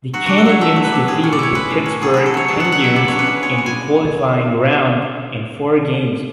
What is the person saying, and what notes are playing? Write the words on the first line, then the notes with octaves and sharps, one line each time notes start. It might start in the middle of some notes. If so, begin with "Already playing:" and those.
The Canadiens defeated the Pittsburgh Penguins in the qualifying round in four games.
F#3 F#4
D4 F#4
A4
F#3 C#5
A3 E5
F#3
B4
D4
A2 G#4
C#4
D5
E4 C#5
G#3 B4
A2
C#4
F#3 G#4
E4 G#4
A4
F#3 C#5
B3 A5
F#3 F#5
F#5
E4 E5
C#3 D5
D4 C#5
B4
C#3
G#3 C#5
C#3
G#5